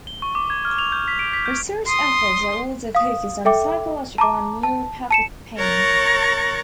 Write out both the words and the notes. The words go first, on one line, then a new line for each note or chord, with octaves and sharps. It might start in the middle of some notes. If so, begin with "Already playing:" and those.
Research efforts are also focused on physiological and neuropathic pain.
G7
C#6
D6
G#6
F6
F7
G6
B6
D7
B6
G6
C6 D#6
F5 D#6
A4 E5 G5 D6
A5 A#5 D6
A5
A5 C#7 E7
A#4 C#5 A#5 C#6 F#6 A6